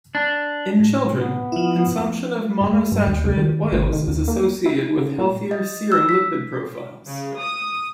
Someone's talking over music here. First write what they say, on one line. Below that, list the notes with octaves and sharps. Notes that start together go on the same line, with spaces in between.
In children, consumption of monounsaturated oils is associated with healthier serum lipid profiles.
D4
A2
B3
F3 E4
G#3
G2
D#2
C2
D#3
G#1
D#3
D#2
A#3
E4
C#3
A#2
D#5
E6
B6
C#3
D#6